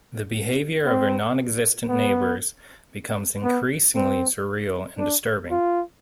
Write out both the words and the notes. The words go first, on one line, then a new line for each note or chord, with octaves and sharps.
The behavior of her "non-existent" neighbors becomes increasingly surreal and disturbing.
C4
B3
B3
C4
D4
F4